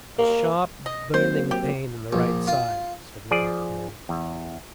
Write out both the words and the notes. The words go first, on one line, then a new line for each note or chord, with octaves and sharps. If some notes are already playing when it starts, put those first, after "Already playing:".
"A sharp, burning pain in the right side," said the apothecary.
A#3
D#5
F#3 A#3 C4 C5
G4
A#1
F4
F3 G#4 D5
E2